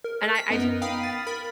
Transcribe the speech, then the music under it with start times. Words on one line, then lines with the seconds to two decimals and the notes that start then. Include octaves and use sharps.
And I I do
0.04 A#4
0.35 B6
0.50 F#2 B3 D#4 A#4
0.82 F5 G5 B5 D#6
1.03 A6
1.27 A#4 B5